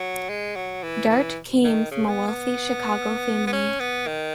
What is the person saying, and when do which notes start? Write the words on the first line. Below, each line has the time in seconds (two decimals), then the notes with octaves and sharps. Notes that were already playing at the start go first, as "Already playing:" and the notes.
Dart came from a wealthy Chicago family.
Already playing: F#3
0.29 G#3
0.55 F#3
0.83 E3
1.09 E3
1.64 D#3
1.91 C#3
2.09 B3
2.27 B3
3.47 B3
3.52 C#4
3.79 B3
4.07 D#3